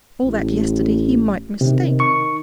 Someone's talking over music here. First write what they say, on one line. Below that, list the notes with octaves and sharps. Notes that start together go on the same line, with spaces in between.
All that yesterday, he might mistake.
A1
C3 D#3
C#6